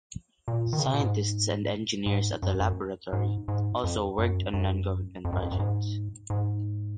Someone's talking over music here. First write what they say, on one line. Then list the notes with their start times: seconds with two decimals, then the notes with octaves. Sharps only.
Scientists and engineers at the Laboratory also worked on non-government projects.
0.48 A#2
0.73 D#3
0.79 C#3
0.86 C3
0.93 A#2
1.01 G#2
2.06 G#2
2.42 F#2
2.60 F#2
3.13 G#2
3.48 G#2
3.84 F2
4.18 F#2
4.54 F#2
5.25 F2
5.33 F#2
5.42 F2
5.52 F#2
5.59 G#2
6.30 G#2